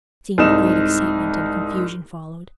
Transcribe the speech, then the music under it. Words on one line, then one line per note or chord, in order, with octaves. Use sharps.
A scene of great excitement and confusion followed.
C2 G#2 D#4 E7